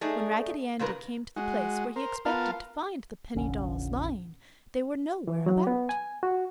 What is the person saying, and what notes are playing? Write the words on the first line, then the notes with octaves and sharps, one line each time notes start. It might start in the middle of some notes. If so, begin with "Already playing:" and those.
When Raggedy Andy came to the place where he expected to find the penny dolls lying, they were nowhere about.
A3 D4 D#4 G#4
A#2 C#3 A#4 B4
G#3 F#4
A#4 C5
B3 F4 A#4 F5 A5
F1 A#1 D3 C#4
E3
F#3
B3
G#5
F#4